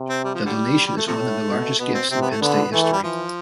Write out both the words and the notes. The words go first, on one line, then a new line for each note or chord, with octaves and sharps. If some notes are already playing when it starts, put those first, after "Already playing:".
The donation is one of the largest gifts in Penn State history.
Already playing: C3
C4
G3
F3
D3 G3
G3
A3
C3 F3 A3
A2
B2
B2 B3
C4
C3 C4
B3
A3
D3 B3
E3 A3
A3
G3
E3 F3